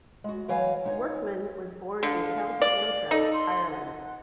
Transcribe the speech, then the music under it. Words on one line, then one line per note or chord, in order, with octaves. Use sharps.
Workman was born in County Antrim, Ireland.
G#3 F#4
E3 F#3 C#5 F5 G#5
G#3 D#4 C#5
D3 F5
D5
D#4 A4
C6
F#5